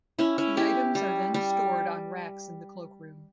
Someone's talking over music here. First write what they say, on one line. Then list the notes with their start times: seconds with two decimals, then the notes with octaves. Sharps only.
The items are then stored on racks in the cloak room.
0.19 C#4 E4
0.38 C#4 E4
0.57 E4 G4
0.95 G3
1.34 G3